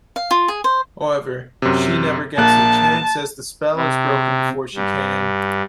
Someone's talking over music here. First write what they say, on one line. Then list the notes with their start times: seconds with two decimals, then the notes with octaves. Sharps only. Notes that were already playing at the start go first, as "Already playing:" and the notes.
However, she never gets a chance as the spell is broken before she can.
0.16 F5
0.31 F4
0.48 G#4
0.64 C5
1.62 F#2 C3
2.38 A#1 A#3 A5 F#6
3.76 C3
4.75 G2